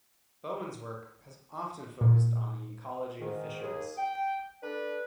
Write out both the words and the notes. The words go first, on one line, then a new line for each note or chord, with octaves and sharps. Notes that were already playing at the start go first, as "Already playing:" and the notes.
Bowen's work has often focused on the ecology of fisheries.
A#2
G#2 D#3
D#2 G#4
G5
D4 A4 B4